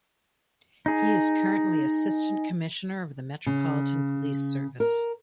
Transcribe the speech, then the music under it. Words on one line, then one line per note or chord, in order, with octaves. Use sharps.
He is currently Assistant Commissioner of the Metropolitan Police Service.
D#4 G#4
C#3
A#4